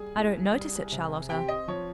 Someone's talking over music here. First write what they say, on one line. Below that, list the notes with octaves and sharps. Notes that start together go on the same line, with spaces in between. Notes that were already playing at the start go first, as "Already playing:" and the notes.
"I don't notice it, Charlotta."
Already playing: G3 G#4 G#5
C2
G3
C3
C4 G4 G5
D#5
F3 C#5